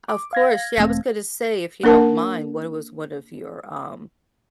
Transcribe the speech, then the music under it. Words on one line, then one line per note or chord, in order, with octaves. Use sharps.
Of course, yeah, I was gonna say if you don't mind what it was one of your um
D6
F5 G#6 A#6
E1 A3 C4
A#3 D4 A#4 F#5 A5